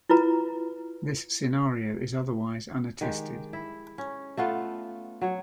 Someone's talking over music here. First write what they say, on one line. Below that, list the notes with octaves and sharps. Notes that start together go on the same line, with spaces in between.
This scenario is otherwise unattested.
E4 F4 B4 A#5
D#3 G#3 G4
E4
C#4
A3 B3 F4 A4
F#3 C#5